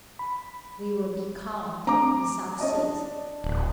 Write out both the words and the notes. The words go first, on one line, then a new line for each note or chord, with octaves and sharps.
We were becalmed in the South Seas.
B5
A3 C4 D4 A#5 D6
C#4 D#5 A5
D4
D1